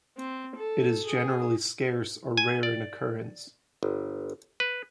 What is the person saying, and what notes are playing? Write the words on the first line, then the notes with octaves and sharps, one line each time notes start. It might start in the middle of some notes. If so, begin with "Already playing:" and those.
It is generally scarce or rare in occurrence.
C4
A4
G#4
G#5
D5
G1
B4